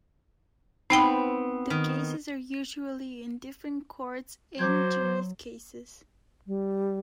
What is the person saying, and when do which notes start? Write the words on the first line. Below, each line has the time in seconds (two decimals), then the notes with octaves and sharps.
The cases are usually in different courts, and juriescases.
0.90 B3 C4 D#4 G5 B5
1.70 D#3
4.59 F#3 C5 D6 G6 G#6
6.47 G3